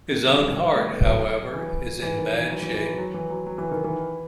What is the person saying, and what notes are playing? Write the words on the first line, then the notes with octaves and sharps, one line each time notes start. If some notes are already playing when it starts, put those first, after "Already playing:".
His own heart, however, is in bad shape.
D#3
F#3
G3
A3
B3
F#3
E3
E3
D#3
E3
F#3
E3
E3
F#3
F#3
E3
F#3
F#3
E3
D#3
E3